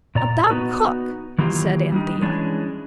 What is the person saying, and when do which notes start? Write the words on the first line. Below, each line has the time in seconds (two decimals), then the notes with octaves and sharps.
'About cook,' said Anthea.
0.15 A#2 D5 A#5
0.50 B3 D#4 F#4 B4
1.38 D#3 E3 F#3 A#3 F4 G4
1.92 G3 D4 D#4
2.22 E3 G#3 C#4 D4